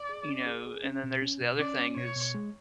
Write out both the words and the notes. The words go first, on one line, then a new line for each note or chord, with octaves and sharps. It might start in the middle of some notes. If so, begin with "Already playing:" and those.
you know, and then there's the other thing is
Already playing: D5
G#4
C#4
G#4
G#4
C#4
B2
C#4
B2
C#4 D5
C#4
B2 C#5
B2
G#3